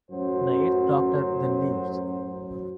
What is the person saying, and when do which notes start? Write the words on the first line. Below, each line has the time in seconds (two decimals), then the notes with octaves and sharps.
The Eighth Doctor then leaves.
0.10 A1 F#2 F#3 C5